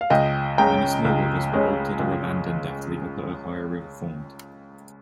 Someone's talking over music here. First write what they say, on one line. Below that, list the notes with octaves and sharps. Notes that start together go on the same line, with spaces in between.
Many small rivers were altered or abandoned after the upper Ohio River formed.
F5
C#2 D#5 G5
C#3 G#3 C#4 G5 A#5
C#2
C#3 G#3 C#4
C#2